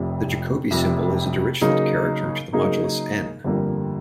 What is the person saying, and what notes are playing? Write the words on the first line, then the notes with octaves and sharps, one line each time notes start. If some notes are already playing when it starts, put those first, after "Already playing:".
The Jacobi symbol is a Dirichlet character to the modulus "n".
Already playing: F1 F2 C3
F1 F2 C3
C#3 F#3 A#3 D#4 G#4
C#3 F#3 A#3 D#4 G#4
G1 F2 D3 G3 A#3